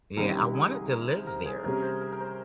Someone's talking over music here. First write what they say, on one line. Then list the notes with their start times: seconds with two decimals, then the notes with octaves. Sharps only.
Yeah, I wanted to live there,
0.17 C2 C3 D#3 G3 C#4 A#4
0.54 G#4
0.90 A#4
1.09 C5
1.27 A#4
1.46 G#4
1.64 C3 G3 C#4 G4 A#4
1.82 C5
2.01 A#4
2.12 A#4
2.20 C5